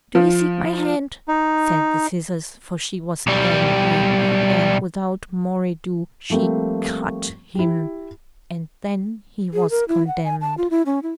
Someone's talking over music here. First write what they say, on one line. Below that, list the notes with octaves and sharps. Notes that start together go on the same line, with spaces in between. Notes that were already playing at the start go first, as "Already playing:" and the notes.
"Do you seek my hand?" said the scissors; for she was angry; and without more ado, she CUT HIM, and then he was condemned.
F3
D#4
B1 G3
F3 G3 A3 A#3 C4
E4 G4
G#4
A#4
E4
F#5
G#5
A5
F4
E4
C#4
E4